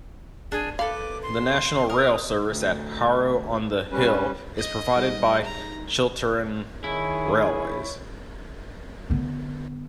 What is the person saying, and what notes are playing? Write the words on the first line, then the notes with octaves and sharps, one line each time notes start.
The National Rail service at Harrow-on-the-Hill is provided by Chiltern Railways.
D4 G#4
A4 B4 F5 D6
C6
A#4 D#6
D2
G3 C#4 B4
D#5
G3 D#4 G#4
A#5
D#3 E4 G#4 C#5
D3 B3